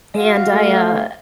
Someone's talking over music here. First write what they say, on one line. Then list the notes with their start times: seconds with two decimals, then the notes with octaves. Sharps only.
and I, uh
0.17 F#4 F5
0.51 A3